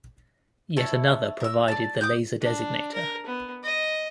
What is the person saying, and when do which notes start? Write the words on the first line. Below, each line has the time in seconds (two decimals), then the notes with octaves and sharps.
Yet another provided the laser designator.
0.76 E4 C#5 A5
1.40 A#4 E6
1.68 D5 A5
2.01 D6 D#6 G6
2.41 D4
2.94 A#4
3.26 B3
3.63 D#5